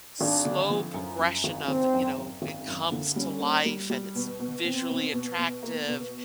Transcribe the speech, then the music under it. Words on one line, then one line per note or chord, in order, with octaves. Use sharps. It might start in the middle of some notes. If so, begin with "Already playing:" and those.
slow progression of, you know, it comes to life, and it's visually attractive,
G#1 D4
D3
F3
F#2
F#2
G#1
G#1 C4
F#2
F#2
G#1
F#2
D3
G3 C#4
A#3
G3
G3
B2
B2
B2 C4
B2
B2
B2
A#3
B2